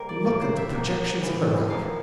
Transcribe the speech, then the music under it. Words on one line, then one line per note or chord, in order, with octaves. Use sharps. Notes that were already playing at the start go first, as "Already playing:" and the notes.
Look at the projections of the rock.
Already playing: C3 G3 A#3 A#4
D5
A2 G3 A#3 D5
C5
E5
D3 F3 A#3
A2 E3 G3
D3 F3 A#3 F5